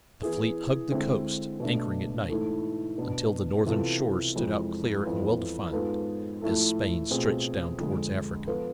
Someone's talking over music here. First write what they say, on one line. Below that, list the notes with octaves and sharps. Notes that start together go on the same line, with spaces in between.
The fleet hugged the coast, anchoring at night, until the northern shores stood out clear and well defined as Spain stretched down towards Africa.
E3 B3 E4 G#4
D3 G#3 C4 E4
B2 A3 D4
G#2 E3 A3 E4 A4
B2 B3 D4
C3 E3 B3 F4 A4
F2 E3 G#3
F2 E3 B3 F4
G#2 G#3 B3 F4 A4
A2 F3 A3 E4 A4
B2 A3 C4 F4 G#4
F2 D3 G#3
F3 B3 F4 A4